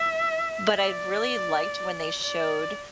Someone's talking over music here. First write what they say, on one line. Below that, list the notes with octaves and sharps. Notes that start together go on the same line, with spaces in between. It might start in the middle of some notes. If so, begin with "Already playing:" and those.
but I really liked when they showed
Already playing: E5
D5
D5